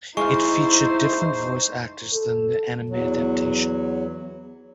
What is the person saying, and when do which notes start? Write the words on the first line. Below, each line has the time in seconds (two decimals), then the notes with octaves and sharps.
It featured different voice actors than the anime adaptation.
0.17 G#3 D#4 E4 C5 F5 C#6
2.13 A4
2.89 E2 F#3